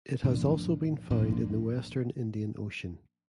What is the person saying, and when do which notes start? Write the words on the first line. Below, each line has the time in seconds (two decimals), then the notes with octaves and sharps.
It has also been found in the Western Indian Ocean.
0.23 A2 F3 A#3 D4
1.10 A2 F3 A#3 D4